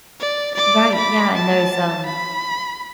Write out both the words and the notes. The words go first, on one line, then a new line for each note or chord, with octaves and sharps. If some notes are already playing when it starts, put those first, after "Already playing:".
Right, yeah, and there's, um
D5
D5 D6
B5 D6
A5
B5